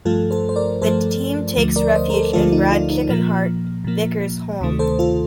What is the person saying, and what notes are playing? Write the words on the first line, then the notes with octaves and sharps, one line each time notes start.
The team takes refuge in Brad "Chickenheart" Vicker's home.
G2 F3 A3 F4 A4
A4 C5
C5
A#4 D5
G2 F3 A3 A4 C5
D2 D3 F3 A3
A#4 D5
C5 D#5
A#4
A4 C5
D2 D3 F3 A3 F4 A4
D#4
F4
D#4
A#2 F3 A#3
A#2 F3 A#3
D2 C3 D#3 A3
A4 C5
F4 A4